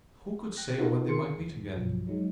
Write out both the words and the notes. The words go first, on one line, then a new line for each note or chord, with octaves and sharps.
Who could say when they might meet again?
G5 F#6 A#6
D#4 F4 F#4 A4 A#4
D#3 G#4 A#4 C6 C#7
D#2
B1 G2 F3 F#3
F#3 G#3 D#4